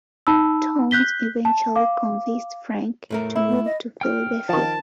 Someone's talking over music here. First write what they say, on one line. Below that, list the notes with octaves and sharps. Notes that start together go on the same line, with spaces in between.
Townes eventually convinced Frank to move to Philadelphia.
D#4 A5 B5 E6
F#6 G6 B6 G7
A5
F5 D6
A2 A3 A#4
E4
B3
D#5
G5 F6
D#3 F3 A5